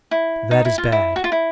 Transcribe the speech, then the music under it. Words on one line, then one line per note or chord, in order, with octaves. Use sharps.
That is bad!
E4
D#4
E4
F4
E4
F#4
F4
E4